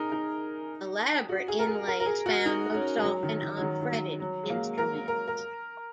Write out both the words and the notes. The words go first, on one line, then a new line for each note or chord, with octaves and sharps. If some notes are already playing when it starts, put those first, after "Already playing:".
Elaborate inlay is found most often on fretted instruments.
Already playing: D#4 G#4 A#4
D#4
F#4
G#4
A#4
G#4
A#4
A#4
G#4
F#4
D#4
C#4
G#3
F#3
D#3
D#3
F#3
D#3
D#3
F#3
F#3
G#3
A#3
A#4
A#4
A#4